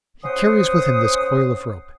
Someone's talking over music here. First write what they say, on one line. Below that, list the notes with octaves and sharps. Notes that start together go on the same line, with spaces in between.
He carries with him this coil of rope.
C#4 C5 F#5 C6 D#6